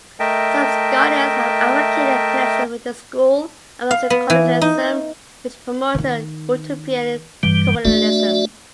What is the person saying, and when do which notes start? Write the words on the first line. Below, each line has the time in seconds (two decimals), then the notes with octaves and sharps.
Some scholars have advocated connections with the school of agriculturalism, which promoted utopian communalism.
0.20 A3 A#4 D#5 E5 G5 A5
3.91 F5
4.10 B3
4.30 E3
4.61 D#4
5.95 D#3 D#4
7.43 G2 E3 G3
7.85 A3 D4 F#4 D5 E5